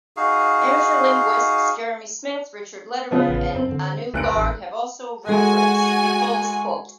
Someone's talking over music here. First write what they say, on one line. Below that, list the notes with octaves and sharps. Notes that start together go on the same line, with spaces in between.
Amateur linguists Jeremy Smith, Richard Lederer, and Anu Garg have also referenced Nicoll's quote.
D#4 F#4 G#4 F5
C#3 F3 B3
A1
F#2 C4
D3
F1 C#2 F#6 D7
A1
G#3 F#4 A4 G#5